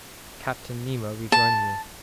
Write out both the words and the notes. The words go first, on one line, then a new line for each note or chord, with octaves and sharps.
Captain Nemo rejoined me.
A5